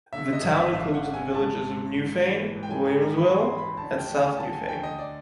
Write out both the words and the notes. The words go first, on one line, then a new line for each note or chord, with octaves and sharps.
The town includes the villages of Newfane, Williamsville and South Newfane.
D3 E5
D#5
G#1
E5
G#1 F5
F#5
D3
G#5
G#2 A5
G#2
G#2
E3
G#2
G5
G#5
G#2 A#5
A#5
E3 B5
C6
E3
B5
D2 A5
G5
D2
G#5
D2 A5
G#5
D3 G5
D#5
D5